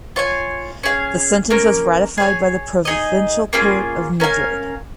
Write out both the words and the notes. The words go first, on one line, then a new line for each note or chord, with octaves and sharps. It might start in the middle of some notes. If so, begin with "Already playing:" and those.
The sentence was ratified by the Provincial Court of Madrid.
F4 C#5 G#5
C#4 G#4 F5
A#3 C#4 A#4
G#4 C#5 G#5
D#4 G#4 D#5
A#3 C#4 F4 G#4
C#4 A#4 F5 G#5